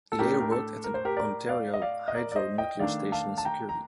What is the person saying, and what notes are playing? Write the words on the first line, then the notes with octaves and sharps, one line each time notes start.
He later worked at an Ontario Hydro nuclear station in security.
A4
A2 A3 D4 G4 A#4
A#4
A4
A#4
C5
G4 A#4
A#4 D5
D5 F5
D#5
D5 F5
D#5
A#4 D5
D5
C5 D#5
D#5 G5
D#3 A3 D4 D5 F5
F5 A5
A5
G5 A#5
A#5